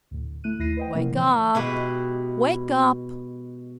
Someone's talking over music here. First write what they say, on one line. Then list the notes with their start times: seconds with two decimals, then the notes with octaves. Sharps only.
"Wake up! Wake up!"
0.11 D2 A2
0.44 A3 E4 F#6 D#7
0.59 D#2 E4 A#6 C7 D#7
0.77 B4 C5 D#5 F#5 G5
0.94 C3 F3 A#3 C#4 E4 A#4
1.11 A2 E3 F3 C#5
1.55 B2 G#3 E4 G4 B4